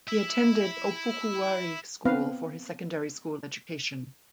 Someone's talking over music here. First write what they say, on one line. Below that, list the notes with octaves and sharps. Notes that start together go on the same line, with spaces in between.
He attended Opoku Ware School for his secondary school education.
E4 E5
B3 C4 B4 F5